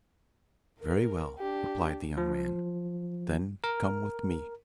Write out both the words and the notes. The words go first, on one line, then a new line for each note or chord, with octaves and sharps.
'Very well,' replied the young man; 'then come with me.'
A#4
D4 G4
F3
A#4